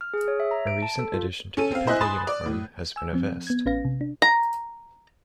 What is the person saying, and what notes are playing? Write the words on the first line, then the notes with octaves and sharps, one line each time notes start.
A recent addition to the Pymble uniform has been a vest.
F6
G#4
C#5
E5
A#5
D7
A5
A4
F4
C#4 A4 D#7
C4 F5
E4 C5 D#5 E5 G#5 F#6
G#5 B5 C6 D#6 A6 E7
D5
A2
G#5 E6
F3 C4
B3 G#6
A1 C#4 B4 F5 A#6
C3
D4
A#5